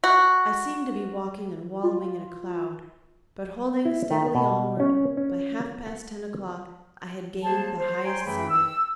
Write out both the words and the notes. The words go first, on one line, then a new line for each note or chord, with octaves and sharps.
I seemed to be walking and wallowing in a cloud; but, holding steadily onward, by half-past ten o'clock I had gained the highest summit.
F#4
F4
E4
D#3
B2
C#4
C#4
F#5
A#3 G#4 C5 A5
C5
C#5 G5 G#5 A#5 C6
F#2 E3 A3 G#4 G5 B5
E6